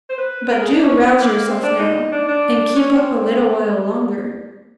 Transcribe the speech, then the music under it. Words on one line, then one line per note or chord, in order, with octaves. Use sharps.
But do rouse yourself now, and keep up a little while longer.
C5
B4
B4
A#4
G#4
D4
C#4
B3
A#3
A#3
C4
D4
D#4
D4
D4
C#4
C4